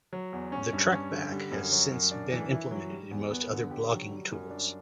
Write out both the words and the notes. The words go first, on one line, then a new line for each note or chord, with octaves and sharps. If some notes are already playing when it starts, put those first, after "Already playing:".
The TrackBack has since been implemented in most other blogging tools.
F#3
E2
C#4
G2
C#4
D3
G3
F#2
F#3
F#2
D4
E3
E4
F#3
G3
E2
B3
D3
G4
F#3
G3
F#2
D4